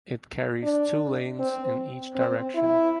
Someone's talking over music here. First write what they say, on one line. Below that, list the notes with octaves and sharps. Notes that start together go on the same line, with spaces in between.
It carries two lanes in each direction.
D4
C4
C4
E4